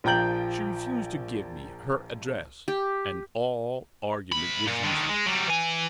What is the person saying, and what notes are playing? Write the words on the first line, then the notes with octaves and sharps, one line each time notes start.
She refused to give me her address, and all argument was useless.
A#1 F3 G5 A#5 G6 F#7
G4
C2 B5
A#2
D3 D#3
G#3
F#3 G3
E3 G#5